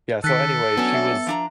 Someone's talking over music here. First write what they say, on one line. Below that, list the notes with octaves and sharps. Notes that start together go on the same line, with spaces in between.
Yeah, so anyway, she was
D#3 A4 F#6 B6
F#3 B3 C#4 D4
E5
F3 D4 A#5